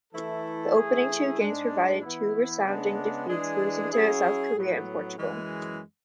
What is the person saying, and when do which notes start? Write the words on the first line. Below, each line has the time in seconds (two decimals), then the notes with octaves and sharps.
The opening two games provided two resounding defeats losing to South Korea and Portugal.
0.12 E3 A3 E4 A4
0.75 E3 A3 E4 G#4
1.39 G#2 G#3 D4
2.02 E3 B3 E4
2.65 C#3 G#3 B3 D4
3.28 E3 G#3 D4 G#4
3.92 F#3 C#4 E4 G#4
4.54 A2 F#3 B3
5.18 F#2 E3 G#3